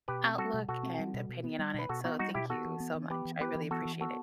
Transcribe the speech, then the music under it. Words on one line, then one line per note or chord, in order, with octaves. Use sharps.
outlook and opinion on it, so, thank you so much, I really appreciate it.
B2 G4 B4
C4
G3 F#4 A4
B2
B2 F#4 A4
C4
G3
B2
B2
B3
G3
B2 B4
B2 F#4 A4
B3 D#4 F#4
G3 D#4 F#4
B2 E4 G4
B3 F#4 A4
E3
B3
E3
B3 G4 B4
E3
B3 G4 B4
E3
B3 F#4 A4
E3
B3 F#4 A4